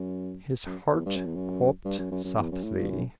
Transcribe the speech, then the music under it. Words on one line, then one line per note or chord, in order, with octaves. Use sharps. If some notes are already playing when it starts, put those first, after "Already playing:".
His heart quopped softly.
Already playing: F#2
F#2
E2
G2
F#2
E2
F#2
G2
F#2
F#2
F#2
E2
F#2
A2
G2
F#2